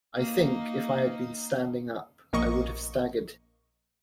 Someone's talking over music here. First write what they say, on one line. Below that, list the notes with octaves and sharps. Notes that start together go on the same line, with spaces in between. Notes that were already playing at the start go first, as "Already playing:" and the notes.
I think, if I had been standing up, I would have staggered.
A#3 D#4
A#1 A#3 D#5 C#6